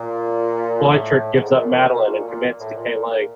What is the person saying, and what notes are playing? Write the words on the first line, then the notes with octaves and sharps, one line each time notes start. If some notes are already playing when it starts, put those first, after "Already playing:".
Bleichert gives up Madeleine and commits to Kay Lake.
Already playing: A#2
A2
G#2
A2
B2
A#2
A#2
B2
A#2
A#2
A2
A#2